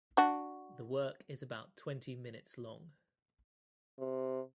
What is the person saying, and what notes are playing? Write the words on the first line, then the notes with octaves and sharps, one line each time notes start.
The work is about twenty minutes long.
D4 F#4
C3